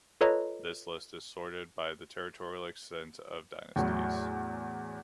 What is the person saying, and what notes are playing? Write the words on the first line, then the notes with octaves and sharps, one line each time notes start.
This list is sorted by the territorial extent of dynasties.
F4 A4 B4 C#5 D#5 A#5
E2 A2 F#3